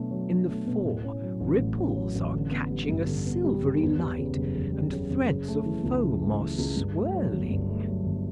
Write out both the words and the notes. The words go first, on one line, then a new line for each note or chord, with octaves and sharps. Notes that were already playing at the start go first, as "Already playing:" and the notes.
In the fore, ripples are catching a silvery light, and threads of foam are swirling.
Already playing: B2 F#3 A3 D4
F#3
D4
A3
B2
A2
C#4
F#3
A1
A2
C#4
F#3
A1
D3
B3
G3
G2
D3
B3
G3
G2
E2
G3
C#3
F#1
E2
G3
C#3
F#1
C#3
A3
E3
C#2
C#3
A3
E3
C#2
G2
A3
F#3
G1
G2
A3
F#3
G1